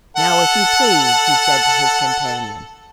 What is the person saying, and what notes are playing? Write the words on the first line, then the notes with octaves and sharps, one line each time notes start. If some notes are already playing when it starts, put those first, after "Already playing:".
"Now if you please," he said to his companion.
A4 F#5